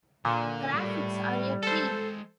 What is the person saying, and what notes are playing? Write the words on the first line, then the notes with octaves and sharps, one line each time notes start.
Graphics are a treat.
A#2 D3
A2 G3
G#3 A4 C5 A5